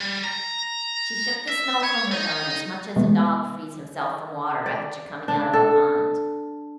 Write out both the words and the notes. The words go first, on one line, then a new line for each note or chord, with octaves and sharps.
She shook the snow from her garments much as a dog frees himself from water after coming out of a pond.
G3
A#5
E5
C#5
D#4
C3 E3 G#3 A3 B3
D5
D4
A4